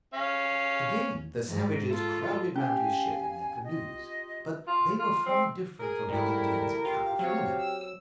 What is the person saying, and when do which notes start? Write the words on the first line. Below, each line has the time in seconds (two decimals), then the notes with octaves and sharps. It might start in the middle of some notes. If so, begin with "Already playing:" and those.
Again the savages crowded around his ship in their canoes, but they were far different from the Indians of California.
0.14 C#4 F5
1.48 G#2
1.89 F4 A4
2.56 C#4 G4 F5 G#5
3.64 F4 D#5
4.67 F4
4.99 F4
5.26 C4
5.80 G#4 A#4
6.09 G#2 G3 A3 E4
6.85 F4 G4 F5
7.19 F#3 C4 C#5 F5
7.60 E6